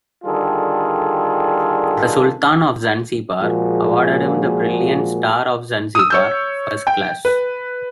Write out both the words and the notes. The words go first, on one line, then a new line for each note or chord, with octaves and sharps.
The Sultan of Zanzibar awarded him the Brilliant Star of Zanzibar, First Class.
D3 D#3 G3 F4 G#4 A4
A#2 F3 G#3 A#3 F#4 G#4
D#6 E6
C#5 E6 G6
G5
B4